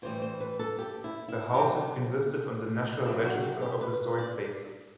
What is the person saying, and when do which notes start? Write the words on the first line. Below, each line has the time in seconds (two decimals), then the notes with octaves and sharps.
The house has been listed on the National Register of Historic Places.
0.02 A2 E3 G3 C5
0.22 C5
0.40 B4
0.59 A4
0.79 G4
1.04 E4
1.28 E4
1.54 C3 F#3 C4 G4
3.05 C3 F#3 C4 E4
3.24 F#4
3.43 G4
3.62 G4
3.81 B4
4.18 D5